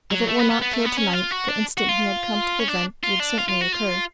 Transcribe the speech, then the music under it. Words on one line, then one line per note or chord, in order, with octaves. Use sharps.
If it were not killed tonight, the incident he had come to prevent would certainly occur.
F#3
A3
B3
B3
B3
A3
B3
C#4
F4
F#4
D4
F#4
F4
C#4
D4
F4
D4
F4
F4
F#4
F4